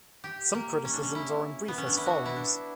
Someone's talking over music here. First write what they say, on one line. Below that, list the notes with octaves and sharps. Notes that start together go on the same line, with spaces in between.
Some criticisms are in brief as follows.
G4
A#3
C#4
D4
C#4
E4
B3
C#4
D4
E4
F#4
E4
D4